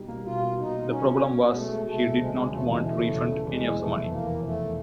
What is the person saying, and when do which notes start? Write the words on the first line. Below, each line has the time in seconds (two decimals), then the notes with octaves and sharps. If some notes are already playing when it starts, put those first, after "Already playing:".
The problem was he did not want to refund any of the money.
Already playing: B2 G3 D#4
0.08 A#3
0.24 B2 F4
0.40 B2
0.57 B2 D#4
0.74 A#3
0.90 B2 C#4
1.05 B2
1.22 B2
1.37 B3
1.53 G#3 A3
1.70 G#3
1.86 B2 A3
2.03 C2
2.18 D2 G#3
2.34 C#3 G#3
2.50 E1 A3
2.66 E3 G#3
2.82 E3 A3
2.98 C#3
3.14 E1
3.31 E1
3.47 E2 G#3
3.63 E3
3.79 F1 A3
3.95 E2
4.11 E2 A#3
4.27 E3
4.43 F1 A3